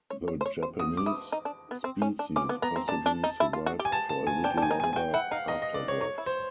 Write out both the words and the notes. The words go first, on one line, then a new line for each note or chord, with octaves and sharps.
The Japanese species possibly survived for a little longer afterwards.
C#5
C#5
C5
C#5
C5
F#4 D#6
D6
E4 D#6
D#4
D4
B3
C4
C#4
D4
C#4 D6
B3
B3 A#5
C4
D4 A5
D4
D#4
E4
F4
F#4
G4
G#5
A5
A5
G#5
D4 G5
D4
G#5
D#4
G#4 G#5
G#5
F#4 G5
E4 F#5
D#4 F5
D#4 D#5
D#5
D5
C#5
D#4 C#5
E4
C5